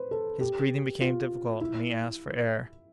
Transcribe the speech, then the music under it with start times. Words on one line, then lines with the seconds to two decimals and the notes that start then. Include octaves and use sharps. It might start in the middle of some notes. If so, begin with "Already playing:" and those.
His breathing became difficult, and he asked for air.
Already playing: B4 C5
0.11 A4
0.41 G4
1.01 F4
1.61 E4